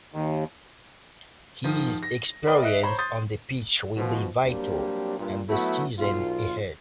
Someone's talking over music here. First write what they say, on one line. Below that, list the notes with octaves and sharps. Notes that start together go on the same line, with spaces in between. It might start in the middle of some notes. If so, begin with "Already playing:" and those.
His experience on the pitch will be vital in the season ahead.
D#2
G#2 D#3 F3
A#6
A#4 B4 D5 D#5 G5
D#5 E5 F#6 D7
C5 C#5 A#5 B5 G6
C6 D#6 G6 A6
B2 D#3 F3
F#3 G3 A#3 C4 D4 G4
G2 A#2
F#3 A3 B3 E4 F#4
B1 F4